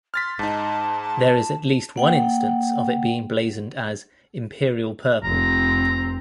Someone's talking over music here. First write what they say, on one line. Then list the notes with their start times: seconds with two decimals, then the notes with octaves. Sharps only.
There is at least one instance of it being blazoned as "Imperial Purple".
0.14 C6 F6 A6 B6
0.39 G#2 D#4 A5
1.96 A#3 F#5 G5
5.24 F1 C4 A#5